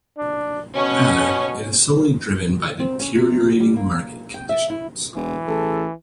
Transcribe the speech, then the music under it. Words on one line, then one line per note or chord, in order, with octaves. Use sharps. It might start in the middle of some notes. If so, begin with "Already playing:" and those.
Rather, it is solely driven by deteriorating market conditions.
D4
B2 C#4
C4
C#4
C3
G3
A#3
G5
E5
E4
E1 E3
A1 G#4 A4